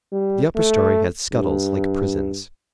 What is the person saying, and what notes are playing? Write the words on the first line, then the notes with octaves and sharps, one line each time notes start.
The upper story had scuttles like prisons.
G3
A3
G2